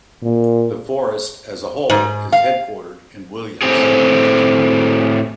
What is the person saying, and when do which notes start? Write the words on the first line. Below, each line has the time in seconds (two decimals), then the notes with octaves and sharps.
The forest as a whole is headquartered in Williams.
0.23 A#2
1.90 G#2
2.32 F5
3.62 A2 C4 G4 G#4